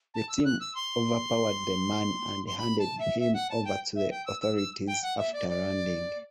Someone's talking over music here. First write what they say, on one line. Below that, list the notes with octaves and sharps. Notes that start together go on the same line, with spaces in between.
The team overpowered the man and handed him over to the authorities after landing.
A5
E6
F#6
E6
C6
C6
B5
A5
E5
E5
F#5
A5
G5
E5
G5
E6
E6
E6
G5
F#5
E5
D5
D5